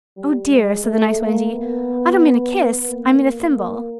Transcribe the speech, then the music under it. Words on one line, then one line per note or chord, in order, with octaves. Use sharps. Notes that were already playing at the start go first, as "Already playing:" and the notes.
"Oh dear," said the nice Wendy, "I don't mean a kiss, I mean a thimble."
G3
G#3
A3
A#3
B3
A#3
A#3